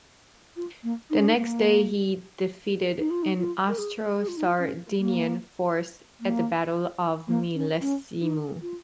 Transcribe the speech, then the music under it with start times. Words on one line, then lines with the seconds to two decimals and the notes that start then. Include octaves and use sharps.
The next day he defeated an Austro-Sardinian force at the Battle of Millesimo.
0.56 F4
0.83 A#3
1.10 D#4
1.19 C#4
1.27 D#4
1.38 A#3
2.98 D#4
3.10 F4
3.23 D#4
3.39 F4
3.68 A#4
3.78 G#4
4.18 G#4
4.28 F4
4.37 D#4
4.46 F4
4.59 C#4
4.99 A#3
6.20 A#3
7.28 A#3
7.55 C#4
7.81 C#4
8.21 D#4
8.62 F4